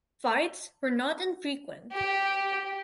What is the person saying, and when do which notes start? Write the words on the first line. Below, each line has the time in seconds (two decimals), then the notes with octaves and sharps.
Fights were not infrequent.
1.92 G4